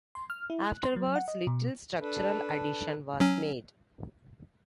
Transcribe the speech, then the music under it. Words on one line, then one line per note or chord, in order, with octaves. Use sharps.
Afterwards little structural addition was made.
C6
F6
E4
F#6
C6
F#3
F#5
D#5
B2
D4 A4 B4
F#3 C#4